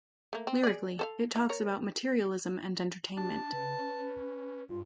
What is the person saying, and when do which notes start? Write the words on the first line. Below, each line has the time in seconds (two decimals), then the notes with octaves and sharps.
Lyrically, it talks about materialism and entertainment.
0.33 A3 A#3
0.47 C4
0.63 G#4 D5
0.99 A4 C5 F5
1.36 E3
1.49 A#4 C#5
3.17 D4 G4 A5
3.52 C#3 B4
3.79 C#4
4.69 G2 F4